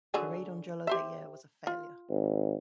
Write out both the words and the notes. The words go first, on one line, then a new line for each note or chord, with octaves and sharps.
A raid on Jolo that year was a failure.
D3 F#3 G#4
G4 C5 E5
F4
G#1